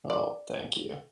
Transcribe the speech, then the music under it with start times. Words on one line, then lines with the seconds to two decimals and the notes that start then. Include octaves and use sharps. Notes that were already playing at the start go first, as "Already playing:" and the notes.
Oh, thank you.
0.10 D5